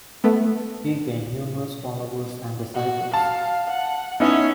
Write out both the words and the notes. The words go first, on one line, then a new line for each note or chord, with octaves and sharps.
He gained numerous followers and disciples.
A3 B3
F#4
F5 A5
F#5
B3 C#4 D#4 E4 C#5